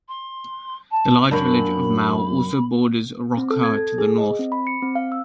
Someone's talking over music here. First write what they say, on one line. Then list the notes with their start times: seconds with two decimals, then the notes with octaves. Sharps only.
The large village of Mau also borders Rokha to the north.
0.08 C6
0.91 A5
1.31 F#2 A#3 D4 B5
3.37 C4
3.50 A4
3.63 G#6
3.78 A4
3.98 G#4
4.18 D#5
4.39 C4
4.52 B5
4.67 C#7
4.82 C4
4.95 F5
5.12 E6